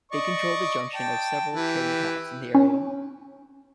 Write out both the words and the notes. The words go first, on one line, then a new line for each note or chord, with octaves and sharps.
They controlled the junction of several trading paths in the area.
D5 D#5 C#6
G5 A5
E3 G4
C#4